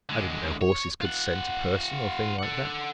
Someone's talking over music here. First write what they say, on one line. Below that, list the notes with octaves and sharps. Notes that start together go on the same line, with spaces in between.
"I didn't know horses could scent a person or thing like that."
D3 G#3
C#5
F4 F#5
A4 F#5